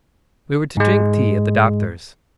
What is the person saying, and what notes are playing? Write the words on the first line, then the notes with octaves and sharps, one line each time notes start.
We were to drink tea at the Doctor's.
G#2 G#3